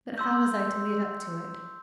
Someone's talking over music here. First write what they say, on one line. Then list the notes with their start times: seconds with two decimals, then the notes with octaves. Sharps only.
But how was I to lead up to it?
0.18 C6 E6 G6